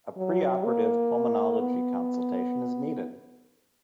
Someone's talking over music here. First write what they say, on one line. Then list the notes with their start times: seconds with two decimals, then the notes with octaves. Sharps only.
A preoperative pulmonology consultation is needed.
0.17 F#3
0.64 A#3
1.60 B3